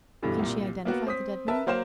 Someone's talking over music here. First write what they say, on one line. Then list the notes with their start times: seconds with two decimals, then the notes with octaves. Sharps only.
"Can she identify the dead man?"
0.22 G2 B2 D3 E3
0.39 C2 A#2
0.85 A#3 B3 F#4
1.07 C4 D#6 B6
1.48 A#4 B4 E5 A5
1.66 F#3 A#3 C5 F5 C6 E7